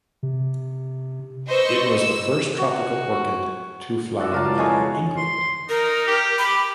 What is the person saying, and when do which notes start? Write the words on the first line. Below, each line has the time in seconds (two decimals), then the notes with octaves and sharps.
It was the first tropical orchid to flower in England.
0.23 C3
1.48 B4 C5 D#5 C#6 E6
1.92 E6
2.59 F#4
4.19 F#4 D5 E5
4.32 C#3 G#3 F4 A#4 D5 A5
4.45 E4
4.58 B2 G#3 A4 C#5 D#5
5.17 C6
5.69 D#4 A#4
6.07 G4
6.38 G4 B5